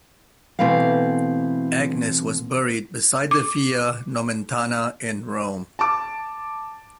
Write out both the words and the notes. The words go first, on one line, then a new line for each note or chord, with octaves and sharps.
Agnes was buried beside the Via Nomentana in Rome.
B2 E3 A3 C4 E4 F5
D6
A5 D6